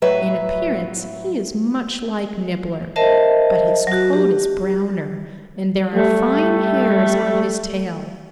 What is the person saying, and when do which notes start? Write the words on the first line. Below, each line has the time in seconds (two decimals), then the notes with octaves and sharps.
In appearance he is much like Nibbler, but his coat is browner and there are fine hairs on his tail.
0.02 A2 F#3 B4 E5
2.96 A#4 C5 D#5 E5 A5
3.87 F#3 F#4
4.13 G4
5.94 G3 A3